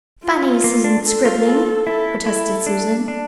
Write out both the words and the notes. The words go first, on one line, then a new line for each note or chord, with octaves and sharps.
"Fanny's isn't scribbling," protested Susan.
F4
A#3
D4
A4
F4
A4
E4 A4
E4 A4
D4
D4